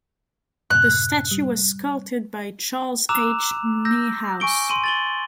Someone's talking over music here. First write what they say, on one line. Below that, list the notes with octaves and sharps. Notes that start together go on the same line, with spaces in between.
The statue was sculpted by Charles H. Niehaus.
F#2 A2 C3 F#6
G3
A#5 D6 E6 F#6 E7 F7
E6 G6 A#6
G#5 C#6 D7 G7
C6 D#7
A6 F#7 G7